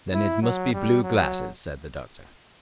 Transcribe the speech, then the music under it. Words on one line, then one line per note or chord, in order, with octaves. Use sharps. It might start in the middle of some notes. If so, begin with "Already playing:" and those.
"Then it must be blue glasses," said the doctor.
E4
F#3
G3
F#3